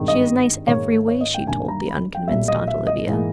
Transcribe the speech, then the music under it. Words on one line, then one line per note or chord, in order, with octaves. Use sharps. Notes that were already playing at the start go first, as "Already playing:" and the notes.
"She is nice every way," she told the unconvinced Aunt Olivia.
Already playing: G#1 G2 D#3 G#3
D#5
G#2 D#3 A#3 C#5
C#5
D#5
G5
G1 G2 D#3 A#3 D#4 G#5
A#5
B5
G5
B1 A#2 G3 E5
D#5
E5
D#5
G#2 E3 A#3